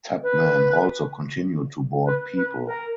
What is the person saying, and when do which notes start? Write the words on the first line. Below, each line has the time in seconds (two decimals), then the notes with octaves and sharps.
Tubman also continued to board people.
0.23 B4
2.05 B4
2.36 B4
2.66 A#4